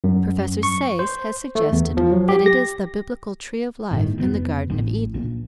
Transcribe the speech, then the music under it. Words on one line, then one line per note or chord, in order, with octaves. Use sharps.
Professor Sayce has suggested that it is the Biblical "Tree of Life" in the Garden of Eden.
F#2
C#6
C5
A3
E2
F3
F#3
G4
A#6
G1 A2 D#3
F1 B2 B3
A1
A#1